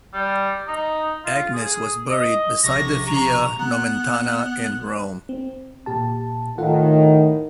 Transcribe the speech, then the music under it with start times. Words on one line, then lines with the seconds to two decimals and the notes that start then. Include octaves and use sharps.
Agnes was buried beside the Via Nomentana in Rome.
0.14 G3
0.67 D#4
1.25 F4
1.53 G#4
2.10 D#5
2.63 A#1 C3 C#6 A#6
3.07 A#5
3.59 B3 F#6
5.29 C4
5.86 A#2 G4 A5
6.58 A2 D#3 F4 A4 F#5